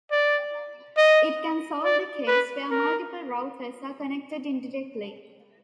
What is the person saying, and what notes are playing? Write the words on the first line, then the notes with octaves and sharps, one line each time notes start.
It can solve the case where multiple routers are connected indirectly.
D5
D#5
D5
B4
A#4